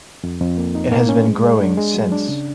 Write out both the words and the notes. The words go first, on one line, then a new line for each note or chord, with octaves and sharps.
It has been growing since.
F2
F2
A#3
D#4
A#3
C#4
G#3
G#3
D4
G#3
F#3
D4
C#3